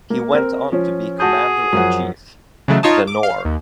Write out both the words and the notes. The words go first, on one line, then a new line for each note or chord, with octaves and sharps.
He went on to be Commander-in-Chief, The Nore.
A#3
C4 A#4
F3 C#4
F#4 G#4 A5 G6
F#2 F3 F#5
C#3 E3 F#3 G#3 A3
D#4 F4 C#5 D#5 A5
D6
F5
D#2